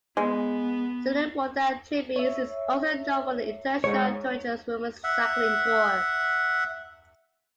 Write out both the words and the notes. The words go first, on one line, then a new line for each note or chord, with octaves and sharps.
Zeulenroda-Triebes is also known for the International Thuringia Women's Cycling Tour.
G#3 B3
C#5 E5
G#2 C#5
E5 F#5